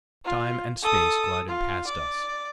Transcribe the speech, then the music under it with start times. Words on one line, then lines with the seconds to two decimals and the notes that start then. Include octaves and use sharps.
Time and space glided past us.
0.25 F4
0.83 A4 D#6
1.47 F4
1.87 D5